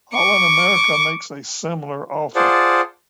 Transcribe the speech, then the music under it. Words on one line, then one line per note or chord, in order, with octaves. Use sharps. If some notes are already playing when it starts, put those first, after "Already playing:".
Holland America makes a similar offer.
C#6 D6
F4 G#4 C5 D5 F#5 A5